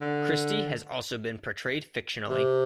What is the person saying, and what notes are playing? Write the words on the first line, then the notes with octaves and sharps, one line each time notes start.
Christie has also been portrayed fictionally.
D3
C3